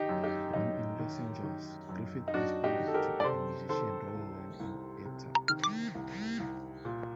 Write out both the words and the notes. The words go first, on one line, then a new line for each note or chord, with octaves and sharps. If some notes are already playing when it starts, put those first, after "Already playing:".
Born in Los Angeles, Griffith aspired to be a musician rather than an actor.
Already playing: D#3 D#4 G4
F#2
D#4 G4
F#2 D#4
D#3
D#3
F#2
D#4
F#2 D4 F#4
D#4 G4
D#3
A4
G4 A#4
D5
C3 A4 C5
D#3 A4 C5
C2
C2
C3
D#3
C2
C2
A#2